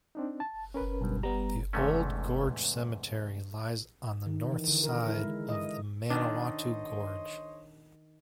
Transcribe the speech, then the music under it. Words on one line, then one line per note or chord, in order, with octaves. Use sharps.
The Old Gorge Cemetery lies on the north side of the Manawatu Gorge.
C4 D4 D#4
A5
C#4 A#4 B4
B1 G2
G3 B3 A#5
E2 G#2 C3 A3 C#4
D#3
E3
D3
A#4
E4
G#3
D#5
D#3 D4 C5 C#5 D#5